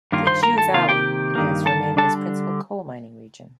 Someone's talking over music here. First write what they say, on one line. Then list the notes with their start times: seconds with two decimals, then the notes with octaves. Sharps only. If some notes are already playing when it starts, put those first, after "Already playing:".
The Jiu Valley is Romania's principal coal mining region.
0.12 G2 D#3 A#3 F4
0.27 C5 C6
0.43 A#4 A#5
0.58 A4 A5
0.74 C3 D#3 A#3 F4 F5
0.89 G4 G5
1.35 G2 D#3 A#3
1.66 A4 A5
1.97 D3 G3 D4 A4 A5